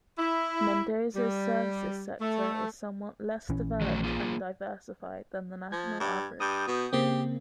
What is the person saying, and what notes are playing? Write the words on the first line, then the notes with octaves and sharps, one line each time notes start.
Mendoza's services sector is somewhat less developed and diversified than the national average.
E4
G3
A3
A#1 E3 C#4
D#3 F#3 A3
A#3 F4 G#4
F3 G#6
G2
G2 D#6 G6
B2
C#3 A#3 C4 G4